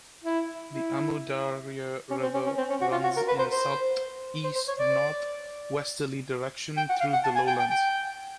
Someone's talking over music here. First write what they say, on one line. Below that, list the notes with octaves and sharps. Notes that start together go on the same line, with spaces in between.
The Amu Darya River runs in a southeast-north-westerly direction through the lowlands.
E4
E4
C#4
C4
C#4
C#4
C4
C#4
F#4
F4
F#4
A#4
B4
C5
C5
C5
C5
C#5
D5
G5
F#5
F5
F#5
A5
G#5
G5
G5
G5